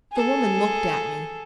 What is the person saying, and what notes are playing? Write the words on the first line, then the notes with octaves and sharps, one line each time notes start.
The woman looked at me.
G#4 A4